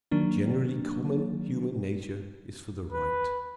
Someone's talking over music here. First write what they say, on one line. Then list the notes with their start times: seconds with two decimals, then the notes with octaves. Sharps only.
Generally common human nature is for the right.
0.11 D#3 F#3 A#3 D4
2.92 B4